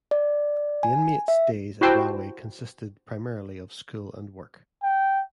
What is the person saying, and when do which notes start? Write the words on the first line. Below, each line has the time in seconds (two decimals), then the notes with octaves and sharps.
The inmates' days at Rahway consisted primarily of school and work.
0.11 D5
0.83 G#5
1.28 E5
1.81 E4 F#4 G4 C5 G5 A5
4.82 G5